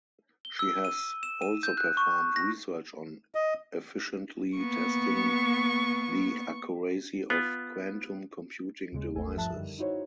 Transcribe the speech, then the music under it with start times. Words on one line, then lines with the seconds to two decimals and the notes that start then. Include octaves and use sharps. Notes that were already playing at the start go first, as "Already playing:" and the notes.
She has also performed research on efficiently testing the accuracy of quantum computing devices.
0.45 G7
0.59 E6
0.85 D#7
1.23 E7
1.42 D#7
1.63 G6
1.77 F#6
1.97 C#6
2.36 A#6
3.35 D#5
4.58 A#3 B3 C#6
7.30 B3 F4
8.92 D#2 C#3 G#3
9.14 G#1 D#2 A3 A4 G#5
9.35 G2 F3 E5 A5 F#6
9.52 F#2 D3 D#3 G3
9.78 D#4 E4 F#4 C5 C#5